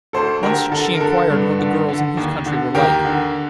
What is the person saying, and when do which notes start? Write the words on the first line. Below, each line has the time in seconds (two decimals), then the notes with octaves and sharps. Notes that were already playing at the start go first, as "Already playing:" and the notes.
Once she inquired what the girls in his country were like.
0.13 D2 A4 C5
0.42 D3 G4 A#4
0.72 D3 A4
0.95 A#4
1.01 D3 A4
1.30 G2
1.59 D3
1.88 D3
2.17 D#2
2.46 D3
2.74 D#2 G4 A#4
3.05 D3